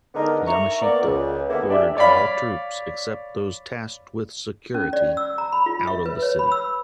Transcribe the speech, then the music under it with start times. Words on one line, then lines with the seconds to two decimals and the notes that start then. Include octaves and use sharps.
Yamashita ordered all troops, except those tasked with security, out of the city.
0.15 D3 G#3 B3 D#4 A#4
0.46 E5 A#5 C#6
0.81 A#3 B3 D5
1.02 C#2
1.48 D3 G#3 A#3 B3 E4
1.70 D4 G4 G#4 D5 E5
1.97 C#5 D5 F5 B5
4.75 C#4
4.93 D5
5.17 E6
5.38 A#5
5.53 B5
5.66 F4
5.87 E5
6.06 B4
6.22 C#5
6.39 B5
6.52 E6